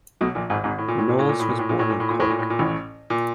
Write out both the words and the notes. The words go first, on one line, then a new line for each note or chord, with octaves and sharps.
Knowles was born in Cork.
B1 B2
A#1 A#2
G#1 G#2
G#1 G#2
A2
A#2
A2
A#2
A2
A#2
A2
A#2
A2
A#2
A2
A#2
A2
A#2
A2
A#2
A2
A#2
A1 A2
A#2